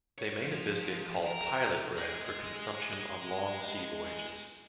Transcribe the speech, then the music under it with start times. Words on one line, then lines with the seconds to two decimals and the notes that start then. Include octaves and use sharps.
They made a biscuit called pilot bread for consumption on long sea voyages.
0.18 C#5
0.42 F3
1.26 A#4
1.97 G#3 G#4